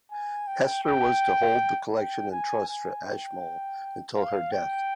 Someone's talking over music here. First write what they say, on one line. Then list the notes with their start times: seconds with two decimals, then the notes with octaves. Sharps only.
Hester was to hold the collection in trust for Ashmole until her death.
0.11 G#5
0.47 G5
0.84 G5
1.94 G5
2.32 G#5
2.68 G#5
3.05 G5
4.15 F5
4.52 G5